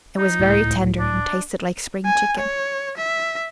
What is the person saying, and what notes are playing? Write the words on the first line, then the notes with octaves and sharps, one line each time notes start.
It was very tender and tasted like spring chicken.
D#4
C#2 A2
D4
G#5
C#5
E5